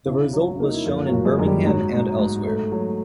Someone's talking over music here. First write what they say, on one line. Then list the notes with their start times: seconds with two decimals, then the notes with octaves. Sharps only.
The result was shown in Birmingham and elsewhere.
0.06 C#3 E4
0.33 F#3
0.60 A#3 D#4
0.74 E4
0.86 F#1 F3 F4
1.06 F#3 F#4
1.12 F#1
1.25 G#3 G#4
1.39 F#2
1.46 G3 G4
1.65 G#2 F#3 F#4
1.93 G#2
2.19 G#2
2.45 A3
2.72 F#3